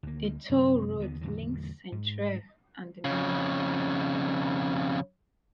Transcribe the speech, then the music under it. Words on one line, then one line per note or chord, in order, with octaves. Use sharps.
A toll road links Centrair and the mainland.
D2 A#3
F#2 C3 F#3
D#2 D3 D#3 B3
E2 A2 D3 F#3
G#2
F2 C#3